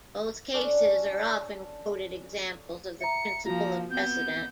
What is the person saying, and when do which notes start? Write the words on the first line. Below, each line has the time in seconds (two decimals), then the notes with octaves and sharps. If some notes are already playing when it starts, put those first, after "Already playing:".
Both cases are often quoted examples of the principle of precedent.
0.54 C#4 D4 A4 D5
3.01 E5 A#5 C#7
3.45 F3 A#3 F4 F#4 A#5
3.91 B3 C4 G6